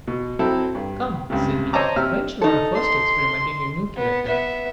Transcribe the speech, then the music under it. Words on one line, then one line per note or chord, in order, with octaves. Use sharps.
Come, Sydney! venture on a first experiment in your new character.
B2
F#3 C4 E4 A4
G2
C#2 G2 C3
C5 C#5 D#5 A5 A#5 D6
C3 G4 E5 E6 F6
D#4 A4
C6
B3
B3 E5